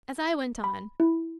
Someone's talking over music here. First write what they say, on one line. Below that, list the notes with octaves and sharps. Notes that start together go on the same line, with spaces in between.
As I went on!
B5
E4